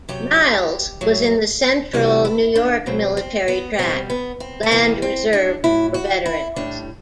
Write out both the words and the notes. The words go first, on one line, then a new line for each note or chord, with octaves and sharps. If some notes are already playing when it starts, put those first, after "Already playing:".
Niles was in the Central New York Military Tract, land reserved for veterans.
C3 F#3 G4
A2 F#3
C3 E3 G3 F#4
E4
D4
B2 F#3 C4
C4
B3
B2 G3 C4
B3
C4
A3
C3 E3 G3 B3
C4
D4
A2 F#3 E4
F#4
E4
A2 G3 D4